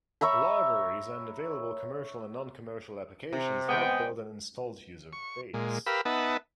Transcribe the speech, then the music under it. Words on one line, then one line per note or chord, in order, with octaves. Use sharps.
Libraries and available commercial and non-commercial applications help build an installed user base.
C#5 E5 A#5 B5
C3
G#3 B3 G5
C#6
A#2 G#3
G4 A#4 B4 F5 B5 E6
B3 D#4 B4 E5 F#5 A5